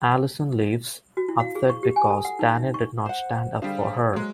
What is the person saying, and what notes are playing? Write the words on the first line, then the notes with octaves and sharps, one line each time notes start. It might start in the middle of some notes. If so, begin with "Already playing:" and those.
Allyson leaves, upset because Danny did not stand up for her.
F#4
E4
F5
G#4
C#6
G4
G#5
A4
F#5
D#4
E5
C#6
C5 F#5
D3 G3 G#4 C5 F5
F#3 G#3